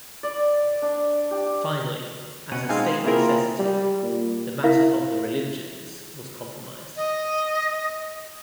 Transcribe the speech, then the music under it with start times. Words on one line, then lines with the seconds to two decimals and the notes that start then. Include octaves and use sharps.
Finally, as a State necessity, the matter of the religions was compromised.
0.23 D5
0.82 D4
1.31 G4
2.51 B2 C#4 F#5 D#7
2.69 G#3 C4 D#4 F5 G#5
2.86 G#4
3.04 A#3 C4 E4 F4 G#4 A#4
3.59 G3
4.03 A#2
4.64 E4 A#4 E5 F5
6.96 D#5